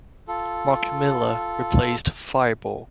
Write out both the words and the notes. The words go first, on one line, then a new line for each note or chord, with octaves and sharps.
Mark Miller replaced Firebaugh.
F4 A4